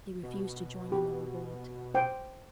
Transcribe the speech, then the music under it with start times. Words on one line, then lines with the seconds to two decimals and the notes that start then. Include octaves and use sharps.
They refused to join in the revolt.
0.23 B2
0.92 G4
1.94 C5 G5